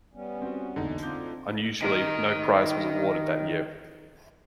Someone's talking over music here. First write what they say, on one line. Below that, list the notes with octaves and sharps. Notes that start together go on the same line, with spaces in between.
Unusually, no prize was awarded that year.
G3 B3 C#4
C4 F#4 F#5
F#1 B1 E2 D3 D#4
D2 C4 F4 D6 G6
D#3 A#4